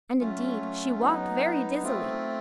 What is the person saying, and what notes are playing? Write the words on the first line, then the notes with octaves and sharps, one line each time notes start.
And indeed, she walked very dizzily.
F#3 A3 C#4 F4
F#3 B3 D#4
A3 C4 F4